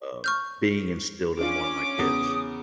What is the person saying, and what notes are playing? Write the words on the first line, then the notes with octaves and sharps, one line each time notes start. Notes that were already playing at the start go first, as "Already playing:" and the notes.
um, being instilled in one of my kids.
C#6 F6 G6
C#4 D4 F4 D6
E2 C#3 D#6